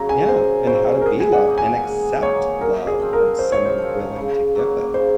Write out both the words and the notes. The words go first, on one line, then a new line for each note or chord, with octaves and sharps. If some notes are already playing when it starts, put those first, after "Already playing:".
Yeah, and how to be loved and accept love from someone willing to give it,
Already playing: F#2 C#3 F#3 C4 A#5
G#5
F#2 C5
C#3 F#3 C4 C5
A#4
G#2 G#4
G#5
F#5
F#3 A#3 D#4
G#5
G#2
F#3 A#3 D#4 C#5
F#2 A#4
G#4
F3 C4
A#4
F#2 C5
C#5
C5
F3 C4
C#3
F#3 A#3
C#3 C5